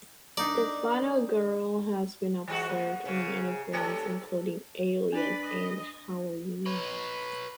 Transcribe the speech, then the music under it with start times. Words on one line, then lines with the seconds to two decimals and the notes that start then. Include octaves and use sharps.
The final girl has been observed in many films including "Alien" and "Halloween".
0.37 D4 D#4 A#4 D5
2.48 E3 G#3 F#4
2.69 A#3
3.05 G#2 C#3
3.72 D#2 A3 A4
5.12 D4 B4 D5
5.45 D#5
6.66 B4 C#5